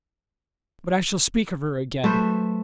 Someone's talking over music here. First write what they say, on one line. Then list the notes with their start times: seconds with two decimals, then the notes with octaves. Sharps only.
But I shall speak of her again.
2.04 F#3 A3 B4 C5